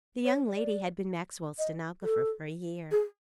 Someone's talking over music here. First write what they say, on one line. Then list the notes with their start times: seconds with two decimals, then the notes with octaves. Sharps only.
The young lady had been Maxwell's stenographer for a year.
0.25 C#5
0.47 D5
1.59 D#5
2.03 A4
2.91 G#4